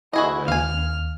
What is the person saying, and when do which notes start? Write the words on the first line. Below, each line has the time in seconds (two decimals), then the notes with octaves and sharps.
Aw, man.
0.13 E4 F#4 G#4 D#5
0.48 D#2 F5 G#5 F6